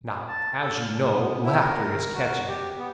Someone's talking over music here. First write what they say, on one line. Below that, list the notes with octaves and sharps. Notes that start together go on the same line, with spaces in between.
Now, as you know, laughter is catching.
A5
A4
F6
F2
B3
E4
A#4
F#4
G4
B3